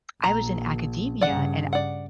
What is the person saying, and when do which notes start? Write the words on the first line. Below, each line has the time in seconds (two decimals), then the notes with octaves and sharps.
I was in academia, and
0.24 A#1 A#5
1.21 G2 C#3 D5 F#5
1.73 D5 F#5